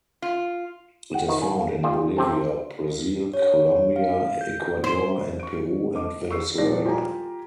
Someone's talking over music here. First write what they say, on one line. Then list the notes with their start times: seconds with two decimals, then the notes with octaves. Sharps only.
It is found in Bolivia, Brazil, Colombia, Ecuador and Peru and Venezuela.
0.22 F4
1.14 F#5 G5
1.28 D#3 B3
1.42 G#2
1.58 A#3
1.83 G3 F4 G#4
2.16 C3 C4 A4
3.34 C#5
3.96 F5
4.41 G6
4.84 C5
5.40 C#6 D7
5.94 A4 D#5 D6
6.31 C#6 E6 C7
6.58 D#1 G#1 F3 D5 A#6
6.85 F4 G4 A4 G#5 A#5